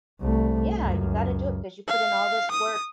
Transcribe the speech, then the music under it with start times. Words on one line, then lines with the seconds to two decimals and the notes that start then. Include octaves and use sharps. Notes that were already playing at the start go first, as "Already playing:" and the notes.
Yeah, you gotta do it because you put in all this work
0.21 C2 A3
0.78 C#2 F#2
1.88 F5
2.51 D#6